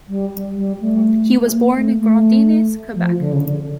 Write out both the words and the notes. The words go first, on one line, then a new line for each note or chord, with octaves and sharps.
He was born in Grondines, Quebec.
G3
G3
A3
A#3
A3
A3
F3
D3
C#3
D3